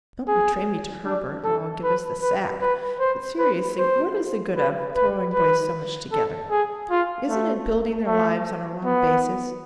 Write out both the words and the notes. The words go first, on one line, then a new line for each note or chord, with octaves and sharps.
Don't betray me to Herbert, or I'll give us the sack. But seriously, what is the good of, throwing boys so much together? Isn't it building their lives on a wrong basis?
G#4
D4
A4
B4
B4
B4
C5
B4
C5
B4
B4
B4
A4
G#4
F4
A3
A3
B3